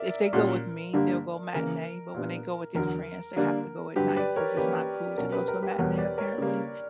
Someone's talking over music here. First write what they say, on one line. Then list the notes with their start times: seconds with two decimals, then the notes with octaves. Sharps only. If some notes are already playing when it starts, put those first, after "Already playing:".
if they go with me they'll go matinee but when they go with their friends they have to go at night 'cause it's not cool to go to a matinee apparently.
Already playing: A#4 D5 E5
0.33 A#2 G3 C#4 F#4
0.93 G2 D3 A#3 D4 G4
1.54 C#3 E3 A#3 A#4
2.14 A#2 G3 B3 D4
2.75 E2 D3 F#3 A#4
3.36 D3 G3 A#3 D4
3.96 G2 D3 F#3 G4 B4
4.17 B4 D5
4.36 A#4 C#5
4.57 E3 A#3 C#4 G4 B4
5.17 B2 F#3 C#4 F#4 A#4
5.32 G4 B4
5.48 A#4
5.62 G4 B4
5.78 E2 B2 G3 B3 A#4 C#5
5.98 B4 D5
6.18 A#4 C#5
6.38 C#3 G3 A#3